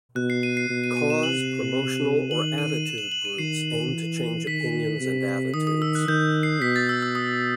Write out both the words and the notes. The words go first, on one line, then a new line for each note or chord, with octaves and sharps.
"Cause", "promotional" or "attitude" groups aim to change opinions and attitudes.
B2 F#6
C7
D#7
C7
B2
D#7
D#7
E7
C3 F#7
D#3 F#7
D#7
E7
F#7
F#7
D#7
D#3 C7
E3
D#3 B6
C3
D#3 D#6
D#6
E6
F#6
D#3 G6
C7
B2 B6
A6
E6
E6
D#6